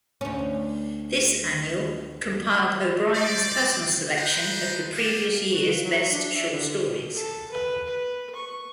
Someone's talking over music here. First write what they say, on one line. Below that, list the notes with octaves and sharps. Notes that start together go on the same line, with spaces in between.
This annual compiled O'Brien's personal selection of the previous year's best short stories.
D2 C#4
C5 D5
D4 D#4 B4 C5
C#4 G4 D5 F5
F#4
F4
F#3
D4
E5
D3
A4
B4
B4
C#6